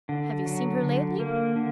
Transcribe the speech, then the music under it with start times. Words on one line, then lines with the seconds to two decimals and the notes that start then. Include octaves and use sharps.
"Have you seen her lately?"
0.09 D3
0.46 F#3
0.83 D3
1.20 A#3
1.56 D3